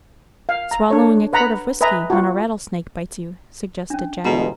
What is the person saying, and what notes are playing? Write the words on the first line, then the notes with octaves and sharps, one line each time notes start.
"Swallowing a quart of whiskey when a rattlesnake bites you," suggested Jack.
F5
A#5
D4 A4 C#5
B4 F#5 A#5 B5
B4 D#5 E5 G#5 A#5
F4 F#4
C#4 D4
G1 E2 B2 G#3 B4 A#5